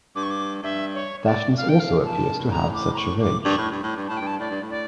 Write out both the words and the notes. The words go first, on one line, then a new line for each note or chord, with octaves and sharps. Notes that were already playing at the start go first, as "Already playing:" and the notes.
Daphnis also appears to have such a ridge.
G2 D6
C#6
D6
G2 E5
C#5
D5
F2 F5
G5
F5
A#2 A5
A2
G2
A2
A#5
D6
A#5
C#6
D6
G2 C#6
A2
G2
A2
G2
A2 A5
G5
G2
A5
A2 D5
G2
A2
D5